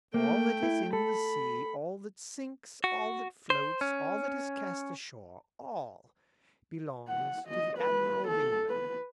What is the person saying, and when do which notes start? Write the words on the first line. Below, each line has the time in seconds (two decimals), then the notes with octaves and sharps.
"All that is in the sea, all that sinks, all that floats, all that is cast ashore--all belongs to the Admiral of England."
0.14 A3 A#3 G5
0.63 E4
0.93 A4 B5
2.84 F#4
3.50 C5
3.81 C#4
7.09 F#5
7.48 D#5
7.78 B4
8.28 A4
8.69 B4